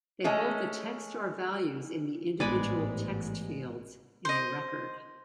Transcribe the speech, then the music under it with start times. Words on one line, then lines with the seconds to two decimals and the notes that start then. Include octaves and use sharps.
They hold the text or values in the individual text-fields in a record.
0.24 G#3 A3 C#4
2.40 A1 G#2 G3 G#3 B3 D5 G#5 B5
4.25 C5 D#5